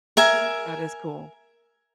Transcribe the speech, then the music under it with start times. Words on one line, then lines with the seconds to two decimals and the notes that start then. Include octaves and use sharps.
That is cool.
0.17 A#4 E5 G#5